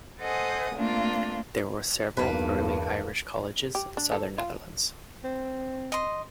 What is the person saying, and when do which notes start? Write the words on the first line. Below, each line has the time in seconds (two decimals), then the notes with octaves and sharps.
There were several early Irish Colleges in Southern Netherlands.
0.20 A4 C5 D#5 F#5 G#5 D#6
0.75 A3 A#3 C4 D4 F4
2.17 B1 E2 G2 A#3 B4
3.75 G4
3.97 D4
4.12 A4
4.38 F4
5.24 C4
5.92 D#5 C6